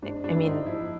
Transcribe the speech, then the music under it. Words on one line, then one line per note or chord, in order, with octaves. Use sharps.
I I mean,
G#2 D4
G#2 D4
E4
G#2 D#4
F3 E4